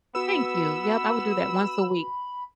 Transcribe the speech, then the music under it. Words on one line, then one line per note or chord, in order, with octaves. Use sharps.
Thank you, yep, I would do that once a week.
B3 F#4 B4 B5 E6